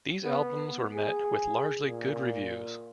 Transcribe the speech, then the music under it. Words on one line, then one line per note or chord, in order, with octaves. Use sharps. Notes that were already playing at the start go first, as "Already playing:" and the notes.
These albums were met with largely good reviews.
B3
G#4
A#2